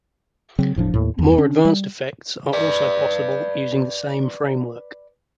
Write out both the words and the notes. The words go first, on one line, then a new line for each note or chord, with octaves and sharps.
More advanced effects are also possible using the same framework.
C#3 F#3 C4
E1 A2 F3 D4
D#2 A2
E2 G2
D3 C#4 D4
G3
B4 D5